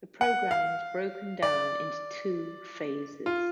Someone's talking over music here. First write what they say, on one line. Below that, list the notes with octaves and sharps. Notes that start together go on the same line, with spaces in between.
The program is broken down into two phases.
F#5
F5
D5
F4